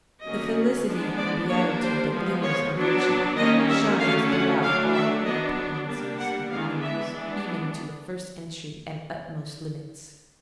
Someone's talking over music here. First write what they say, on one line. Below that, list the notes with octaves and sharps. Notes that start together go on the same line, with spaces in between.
The felicity and beatitude that glitters in Virtue, shines throughout all her appurtenances and avenues, even to the first entry and utmost limits.
D3 F#3 A#3 C#4 D#5
F3 G#3 B3 D4
D5
G3 A#3 D4 C#5
C5
F3 G#3 B3
C#5
F#3 B3 D4
D#3 G3 A#3 C#4 D#5
E5
D3 F#3 A3 C#4 F5
F#5
F#3 A3 D4 F5
E5
F#3 B3 D4 D#5
G3 A#3 D4
F#5
E3 G#3 B3 D4 F5
E5
E3 G#3 B3 D4